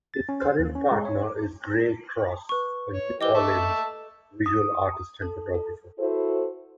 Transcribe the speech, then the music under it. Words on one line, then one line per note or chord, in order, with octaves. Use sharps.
His current partner is Grey Cross, a New Orleans visual artist and photographer.
A6
C#4
C5
D#2
C#4
G#3
C#5
B4 C#6
C#5
E3 G4 D#5 D6 G7
A4 E5 A5 C#6
D#6
A4
A4
E4 F#4 A4 B4 C5